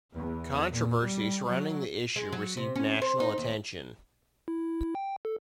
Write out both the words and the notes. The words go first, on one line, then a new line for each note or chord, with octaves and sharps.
Controversy surrounding the issue received national attention.
E2
A#2
G3
F#3
G#3
F#3
C3
C#4
C5
D#4
D#2
E4
G5
A4